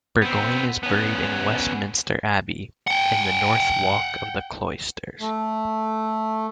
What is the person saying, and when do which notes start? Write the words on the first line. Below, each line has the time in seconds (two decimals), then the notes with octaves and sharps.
Burgoyne is buried in Westminster Abbey, in the North Walk of the Cloisters.
0.22 B3 C4
0.83 B3 C#4
2.87 F#5 G5
5.20 A3